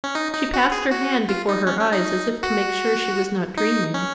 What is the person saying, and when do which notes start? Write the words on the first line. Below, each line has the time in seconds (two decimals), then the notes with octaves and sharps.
She passed her hand before her eyes, as if to make sure she was not dreaming.
0.04 C#4
0.15 D#4
0.34 D#4
0.54 F#4
0.72 G#4
0.91 F#4
1.29 F4
1.49 D#4
1.67 C#4
1.80 C#4
1.92 D#4
2.43 F#4
3.57 D#4
3.94 C#4